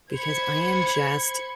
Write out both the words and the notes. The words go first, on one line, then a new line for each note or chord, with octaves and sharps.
because I am just
C5 B5 G#6 C#7